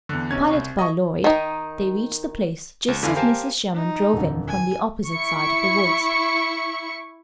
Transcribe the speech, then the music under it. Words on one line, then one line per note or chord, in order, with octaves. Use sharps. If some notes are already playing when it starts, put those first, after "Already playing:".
Piloted by Lloyd, they reached the place just as Mrs. Sherman drove in from the opposite side of the woods.
E2 D3
B1 C3 C#4 G#6
C2 C4 C#6
D#5 C#6
D#3 D#4
C#2
F2 D3 E3 F5 G#5
G4 A#4 C5 F5 G#5 A5
D#4
D#1 F2 D3
G#5
E4 C#6 C#7